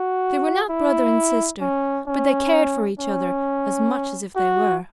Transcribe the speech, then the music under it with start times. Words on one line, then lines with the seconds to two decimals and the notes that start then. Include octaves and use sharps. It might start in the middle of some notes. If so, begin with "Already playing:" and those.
They were not brother and sister; but they cared for each other as much as if they were.
Already playing: F#4
0.70 E4
1.61 C#4
2.07 C#4
2.99 C#4
4.36 F#4